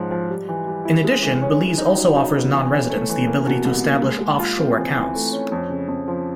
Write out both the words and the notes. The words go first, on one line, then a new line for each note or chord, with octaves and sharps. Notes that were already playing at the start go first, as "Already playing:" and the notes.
In addition, Belize also offers nonresidents the ability to establish offshore accounts.
Already playing: G#2 F3 C#4
F3
G3
E3
G3
E4
G#3
E3
C#4
C#4
D#4
F#3
D#4
B3
E3
C#4
A3
E3
A#3
B2
C2
A#3
G#3
G#3
F4
C4
E3
E3
A3
C#4
F2
C#3
F2
F3